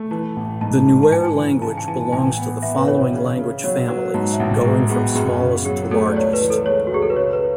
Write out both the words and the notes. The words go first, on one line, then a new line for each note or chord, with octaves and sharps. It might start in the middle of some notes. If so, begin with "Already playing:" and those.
The Nuer language belongs to the following language families, going from smallest to largest.
Already playing: A3
E3 A5
A1
G#2 A5
G#2
A5
E3 G#5
E3
C#3 A5
G#5
E3 A5
A1 G#5
B3
B3 E5
B4
E3 C#5
C#3
C#3
F#3 C#5
F#3 B4
G#2 A5
E5
A1 F#5
G#3 G#4
B3 G#4
F#2 G#4
C#3
F#3 G#4
A3 A4
D5
C#2 C#5
B4
E3
A4
G#3 C#5
F#4
C#2 G#4
A4
B4
C#3 C#5
B4